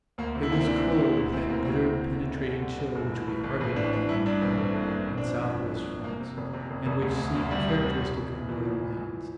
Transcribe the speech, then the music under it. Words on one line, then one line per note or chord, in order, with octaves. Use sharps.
It was cold, with that bitter, penetrating chill which we hardly know in my home in south-west France, and which seemed characteristic of northern lands.
D2 A#3
C3
E4
D2 A#3
C4
E3 D4
E3
E4
D2
D2
E3 C4
D2 A#3
D2 C4
C3
D2
D3
G1
G1
D3
G1
G1
A2
A1
A1
A1 C4
A1 D4
E3 D4
G2 E4
G2 D4
A1 C4
A1 A3
A1
A#3
A1
G1 C4
D4
F2
C4
F2
G1
G1
G1
C3 A#3
C3
F1
C3
F1
F1
D2
D2
D2
D2 G3
C3
C3
F1
F1
E2
E3 F3
F1
E3
E3